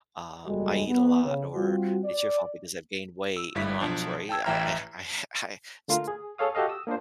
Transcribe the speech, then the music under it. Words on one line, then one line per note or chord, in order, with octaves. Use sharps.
um, "I eat a lot," or, "It's your fault because I've gained weight." You know, "I'm sorry. I I I h I h st"
F#1 E2 G3 G#3 F#4 A4
B3
C#3
G3 C4 F4 F#4
D5
E6
G1 G2 E4 B6
B1 F3 D4
G5 A5 E6 G#6
A1 E3 E5 G5 A#5 F6
D3 A3 F4 A#4
G#4
G#4 A4 C#5 F5 D#6
F#4 G4 A4 D#5 F5
D#6 E6
A#3 D4 F4 C5